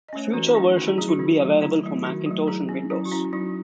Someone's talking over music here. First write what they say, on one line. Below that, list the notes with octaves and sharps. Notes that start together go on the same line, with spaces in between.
Future versions would be available for Macintosh and Windows.
D#5
A3 C#4 C#5
C5
E3 F#4 A4
E4
A3 C#4 D#4 F#4
D#3 D#4 F#4
E4 G#4
F#3 A3 E4 G#4
D#4 F#4
D#3 D#4
F#3 A3
D#3 E4
F#3 A3
D#3 D#4 F#4
F#3 A3
F#3 E4 G#4
C#4
F#3 E4
F#4
C#4 E4
F#3 D#4 F#4